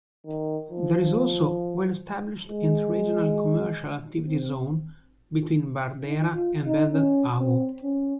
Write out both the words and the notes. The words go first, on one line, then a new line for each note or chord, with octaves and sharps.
There is also well-established inter-regional commercial activity zone between Bardera and Belad Hawo.
D#3
F3
G#3
C4
D#4
F4
D#4
C#4
C4
C#4